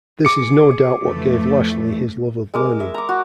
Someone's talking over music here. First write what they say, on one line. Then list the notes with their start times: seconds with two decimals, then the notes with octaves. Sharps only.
This is no doubt what gave Lashley his love of learning.
0.25 G#4 D6 C#7
1.01 F2 E3 A3
2.54 G#3 A#4 D6
2.80 E5
2.94 A#5 D6
3.09 F#4